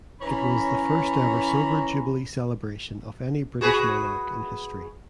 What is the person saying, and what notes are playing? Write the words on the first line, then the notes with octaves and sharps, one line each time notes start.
It was the first ever Silver Jubilee celebration of any British monarch in history.
E3 C#4 C#5 A#5 B5
F#4 G#4 B4